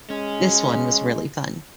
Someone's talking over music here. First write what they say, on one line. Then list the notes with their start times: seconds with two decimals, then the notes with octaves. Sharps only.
This one was really fun.
0.10 G#3 C#4